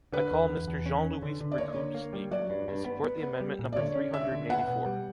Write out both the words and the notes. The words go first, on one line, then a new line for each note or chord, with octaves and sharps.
I call Mr. Jean-Louis Bricout to speak, to support the amendment number three hundred and eighty-four.
D3 B4
E2
E2
E2
C#4
C#4
D3
D3
D5
A#3 C#5
D3
A#3
G3
F#3 D5
G2
G2
B3
B3
B3
G3
A#2
D5
D3 C#5
C#4
D3 E5
D3
B3 F#5
B2
G3